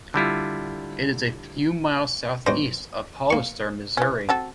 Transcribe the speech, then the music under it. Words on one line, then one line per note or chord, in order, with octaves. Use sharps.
It is a few miles southeast of Hollister, Missouri.
D3 G3 E4 F4
B1 D4 C5 D#5
A#3 C#6
E3 C#4
C4 F#4 A4